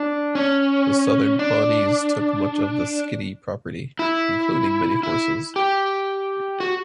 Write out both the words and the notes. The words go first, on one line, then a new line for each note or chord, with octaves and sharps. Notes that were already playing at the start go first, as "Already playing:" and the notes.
The Southern Pawnees took much of the Skidi property, including many horses.
Already playing: D4
C#4
D4
E4
E4
G4
F#4